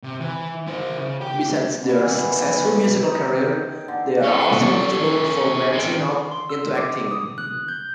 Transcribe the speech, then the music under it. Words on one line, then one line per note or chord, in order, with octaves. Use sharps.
Besides their successful musical careers, they are also notable for branching out into acting.
C3
E3
E4 C5
C#3
G4 G5
B2
E3
E3
D#4
G5
D3
C#4 A4
D#3 C4
C6
E6
D6
D#6
F#6
G6